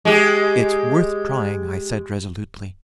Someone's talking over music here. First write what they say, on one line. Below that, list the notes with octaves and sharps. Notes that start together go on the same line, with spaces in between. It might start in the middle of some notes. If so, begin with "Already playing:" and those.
"It's worth trying!" I said resolutely.
G#3 G4